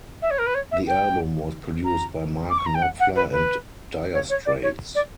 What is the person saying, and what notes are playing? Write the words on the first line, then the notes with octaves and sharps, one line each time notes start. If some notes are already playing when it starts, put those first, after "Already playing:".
The album was produced by Mark Knopfler and Dire Straits.
E5
C#5
A#4
B4
C#5
E5
G5
A#5
D6
C#6
A#5
G5
F#5
F#5
B4
B4
C#5
C#5
D5
C#5
D5